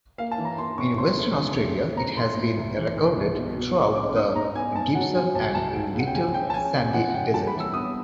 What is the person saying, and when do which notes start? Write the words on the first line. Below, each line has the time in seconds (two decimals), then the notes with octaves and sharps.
In Western Australia it has been recorded throughout the Gibson and Little Sandy Desert.
0.18 A#3 F5
0.31 A5
0.38 E3
0.45 A#5
0.58 A#3 C6
0.78 C3 C#6
0.98 D2 C6
1.18 A3
1.38 D3
1.58 D2
1.77 A2
1.97 A2 A#5
2.17 A2 C6
2.37 A2
2.57 C2
2.76 E3
2.97 E3
3.17 C2
3.37 B2
3.57 B2
3.76 B2
3.95 C#4 D6
4.16 G#2 D#6
4.36 G#2 A#5
4.55 B3 G#5
4.75 G#2 A5
4.95 F#3 F#5
5.15 F#3 G#5
5.35 C2 A5
5.55 C2 A5
5.75 C#2
5.95 C#2 F#5
6.07 G5
6.15 C#2 G#5
6.34 C#2 G5
6.50 A5
6.54 C#4 G#5
6.74 C3 G#5
6.94 F3 F#5
7.10 F#5
7.14 C3 G5
7.34 G3 A5
7.47 B5
7.54 E3
7.60 E6
7.74 B3 D#6